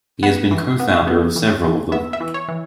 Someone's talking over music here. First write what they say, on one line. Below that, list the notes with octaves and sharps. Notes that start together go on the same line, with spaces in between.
He has been cofounder of several of them.
B3 F#5
E3
B3
B3
E3
E3
B3 E5
E5
E3
C#5
E3